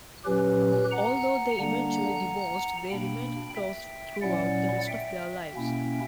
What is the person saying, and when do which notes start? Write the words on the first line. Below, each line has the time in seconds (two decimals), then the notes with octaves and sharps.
Although they eventually divorced, they remained close throughout the rest of their lives.
0.25 A#2 F#3 C#4 G4 B4
0.91 F#5 A#5
1.57 D3 G3 A#3 D4 F#5 A#5
2.89 B2 A#3 D4 G5 B5
3.55 E5 G5
4.21 A#2 F#3 C#4 E4 D5 F#5
4.87 E5 G5
5.54 B2 A#3 C#4 E4